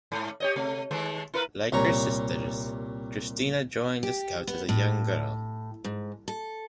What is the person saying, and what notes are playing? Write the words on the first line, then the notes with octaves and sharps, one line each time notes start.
Like her sisters, Christina joined the Scouts as a young girl.
G#2 A3
G4 C#5 D#5
C3 A3
D#3 G#3 A3
E4 A#4 B4
C2 A#2 C#5 A#5
G4
B3
A2
G#2
A4